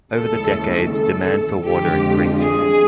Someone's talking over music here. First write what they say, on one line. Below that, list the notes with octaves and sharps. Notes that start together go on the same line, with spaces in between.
Over the decades, demand for water increased.
D#2 C#3 E3 G#3 A4
A4
F2 D3 F3 G#3 G4
G#4